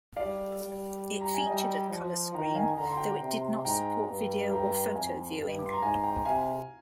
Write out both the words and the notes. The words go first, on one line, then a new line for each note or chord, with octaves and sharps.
It featured a color screen, though it did not support video or photo viewing.
G3 D5 F5
G3
A#5
G#5
G3 D#5 G5
F3
D#3 G5 A#5
F5 G#5
D3 A#5
C6
G5 A#5
C3
G#2 G5 A#5
G2
G5 A#5
F2 F5 G#5
G2
D6
C6
A#5
G#2 F5 G#5
G5 A#5
C3 F5 G#5